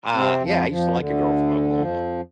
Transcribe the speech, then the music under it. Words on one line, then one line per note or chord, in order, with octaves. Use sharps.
Uh, yeah, I used to like a girl from Oklahoma,
C3 C4
F2 F3
F2 F3
D2 D3
F2 F3